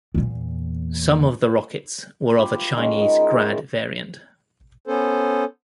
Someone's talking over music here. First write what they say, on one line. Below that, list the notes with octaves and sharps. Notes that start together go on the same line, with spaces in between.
Some of the rockets were of a Chinese Grad variant.
E2 A#2
F4 G4 B4
D#3 G#3 C#4
D#4 G#4
D#3 E3
E5 A#5
B3 C#4 A4 C5